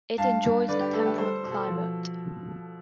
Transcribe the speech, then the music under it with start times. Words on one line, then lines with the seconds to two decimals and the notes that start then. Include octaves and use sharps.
It enjoys a temperate climate.
0.18 G2 F5 A5
0.43 G2
0.68 D3 B4 D5
0.80 G4
0.93 A3 A4
1.05 G4 B4
1.18 G3 A4 C5
1.43 B2
1.51 A4
1.68 F3 A4